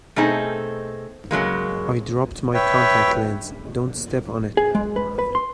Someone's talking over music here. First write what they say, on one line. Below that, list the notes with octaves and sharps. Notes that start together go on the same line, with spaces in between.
I dropped my contact lens, don't step on it!.
B2 A3 C4 D#4 G#4
C#3 F#3 G#3 A#3
B4 C#5 E5 G5
G#4
G#3
B4
B4
C6